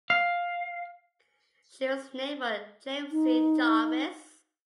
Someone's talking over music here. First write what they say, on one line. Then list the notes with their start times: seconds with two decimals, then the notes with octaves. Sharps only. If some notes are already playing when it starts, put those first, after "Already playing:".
She was named for James C. Jarvis.
0.10 F5
3.12 D#4